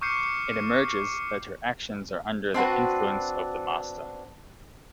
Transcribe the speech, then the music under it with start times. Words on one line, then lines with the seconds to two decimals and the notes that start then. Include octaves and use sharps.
It emerges that her actions are under the influence of the Master.
0.01 C#6 D6 F6 G6 C7 C#7
2.54 C4 D4 F#4 B4